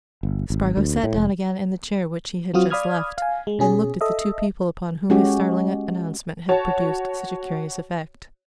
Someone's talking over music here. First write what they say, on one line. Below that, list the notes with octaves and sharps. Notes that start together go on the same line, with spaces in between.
Spargo sat down again in the chair which he had just left, and looked at the two people upon whom his startling announcement had produced such a curious effect.
G1
G#1
D2
A2
F1
F#3 C4 F4 F#4 D#6 F6
D5 F5 B5 D#6 F6 G#6
F5 G#5
G#3
B2 C#4 G#4
A4 D#5 E5
G#3 C#4 F#4 G4
F#4 C#5 A5